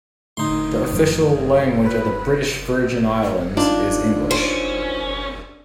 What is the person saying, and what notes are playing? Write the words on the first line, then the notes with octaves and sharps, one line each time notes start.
The official language of the British Virgin Islands is English.
A2 D3 A3 D#4 C6
F#2 F3 D4
B4
C#4
D4 D#4 F4
C#4 C5